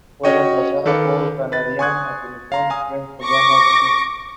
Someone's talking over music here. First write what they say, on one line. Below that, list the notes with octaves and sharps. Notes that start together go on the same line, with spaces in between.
He appeared in eight of the nine matches.
C#4 F#4 C#5 D#5 G5 C#6
D#3 A4 B4 F5 D6 C#7
B4 A6
G#5 C6 C#6 D#6 F#6 G#6
F5 A#5 C6
F5 G#5 D#6
C#6 D6 A#6